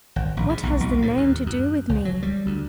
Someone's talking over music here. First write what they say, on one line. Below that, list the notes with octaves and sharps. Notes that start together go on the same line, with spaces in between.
What has the name to do with me?
G#1
A#1
G#2
B1
B1
A2
D#2
F#2
C#2
F#3
G3
D2